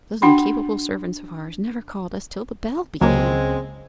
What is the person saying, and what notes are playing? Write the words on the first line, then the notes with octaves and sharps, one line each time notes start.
Those incapable servants of ours never called us till the bell began.
D4 F#4 F#5 G5 B5 C6
C#2 C#3 F#3 G#3 A#3 C4